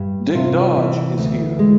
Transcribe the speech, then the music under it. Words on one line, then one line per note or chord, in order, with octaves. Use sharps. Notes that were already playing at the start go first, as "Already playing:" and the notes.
Dick Dodge is here.
Already playing: G2
C3 F4
E3
D2
G#3